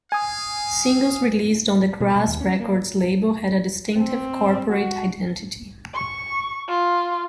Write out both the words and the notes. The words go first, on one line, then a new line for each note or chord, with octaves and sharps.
Singles released on the Crass Records label had a distinctive 'corporate identity'.
F5 G#5 D#6
B2
B2
D#2
C#4
A#3
C4
F#4
C#6
F4